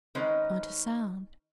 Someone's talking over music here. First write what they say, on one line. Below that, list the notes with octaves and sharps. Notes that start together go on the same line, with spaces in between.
Not a sound.
D#3 G#3 C#4 D#4 B4 C5